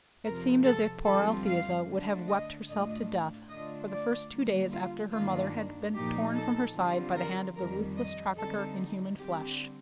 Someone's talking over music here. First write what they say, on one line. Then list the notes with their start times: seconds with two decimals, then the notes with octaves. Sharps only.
It seemed as if poor Althesa would have wept herself to death, for the first two days after her mother had been torn from her side by the hand of the ruthless trafficker in human flesh.
0.24 F2 C3 F3 A#4
0.64 A4
1.05 F2 D3 G3 C4 F4 A4
1.46 F5
1.87 D3 A3 D4
2.27 D#5
2.68 A2 A3 D4 F4 D#5
3.49 D3 A3 D4 F4 D#5
3.90 D5
4.30 D3 G3 A#3
4.71 F4
5.12 G2 D#3 A#3 D4 F4
5.93 A#2 F3 A#3 D#4 G4
6.34 A4
6.74 D3 G3 C4 F4
7.15 A#4
7.56 F2 D#3 G3 A#4
7.96 D#5
8.37 D3 G3 C4 D#4 A4
9.18 D3 G3 C4 G4